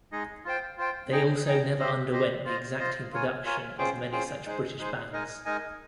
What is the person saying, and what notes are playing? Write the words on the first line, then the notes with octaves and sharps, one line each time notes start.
They also never underwent the exacting production of many such British bands.
G#3 D#4 G#4 D#5
F4 C5 G5
F4 C5 G5
D#4 G#4 D#5 G5
D#4 G#4 D#5 G5
G4 C5 D#5
G4 C5 D#5
F4 C5 D#5
F4 C5 D#5
F4 A#4 C#5 G#5
F4 A#4 C#5 G#5
C#4 F4 G#4 C5 G5
C#4 F4 G#4 C5 G5
G#3 D#4 G#4 C5
G#3 D#4 G#4 C5
G#3 D#4 A#4 D#5 G#5
G#3 D#4 A#4 D#5 G#5